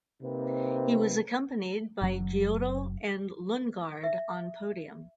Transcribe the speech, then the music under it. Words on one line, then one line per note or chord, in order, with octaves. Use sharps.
He was accompanied by Ghiotto and Lundgaard on podium.
C3 A#3 C4 D#4 B4
F#1 F#3
E5